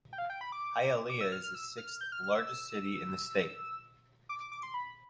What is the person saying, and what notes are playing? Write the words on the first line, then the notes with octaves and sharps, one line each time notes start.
Hialeah is the sixth-largest city in the state.
G5
F5
G5
B5
D6
D6
E6
F6
F6
E6
F6
G6
F6
F6
E6
E6
D6
D6
D6
C6
B5